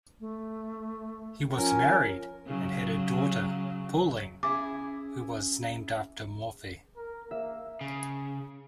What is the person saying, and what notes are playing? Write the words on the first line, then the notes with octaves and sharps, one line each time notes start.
He was married, and had a daughter, Pauline, who was named after Morphy.
A3
F3 C#4 A#4
C#3 F#3
C#4 E4 G#4 D6
A#4
A#3 E5
C#3